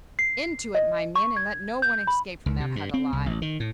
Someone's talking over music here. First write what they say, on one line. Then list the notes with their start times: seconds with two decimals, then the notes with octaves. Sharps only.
"Into it, my men, and let no one escape from that hut alive!"
0.19 C7
0.75 D#5
1.16 C#6
1.36 G#6
1.82 G6
2.07 B5
2.46 C#2
2.60 C3
2.76 G2
2.94 C4
3.13 C2
3.26 A1
3.42 D#3
3.60 A2